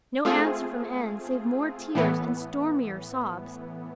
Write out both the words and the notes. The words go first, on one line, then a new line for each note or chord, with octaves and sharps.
No answer from Anne save more tears and stormier sobs!
A3 C4 F4 G#4
A2 E3 B3